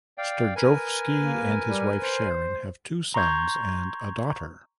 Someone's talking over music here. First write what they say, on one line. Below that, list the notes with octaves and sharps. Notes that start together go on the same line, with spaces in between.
Sterjovski and his wife Sharon have two sons and a daughter.
D5 F5 G5
A#4 B4 G#5
A#3
G3
C5
A#5 C6 C#6 G6 G#6